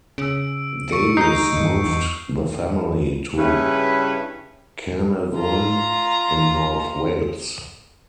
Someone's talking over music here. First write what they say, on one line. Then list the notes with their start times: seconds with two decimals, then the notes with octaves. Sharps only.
Davies moved the family to Carnarvon in North Wales.
0.18 C#3 E6 D7
0.90 C#6 C#7 D7
1.17 D#4 G6 C7
1.57 G2
1.86 E2
3.37 G2 C#3 C#4 E4 B4 E5
5.36 F4 A#5